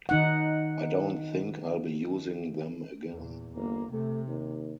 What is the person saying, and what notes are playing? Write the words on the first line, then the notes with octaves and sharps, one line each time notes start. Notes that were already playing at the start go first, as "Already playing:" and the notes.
I don't think I'll be using them again.
D#3 D#4 F#5
E2 A#2
G1 A#3
C3 A3
D#2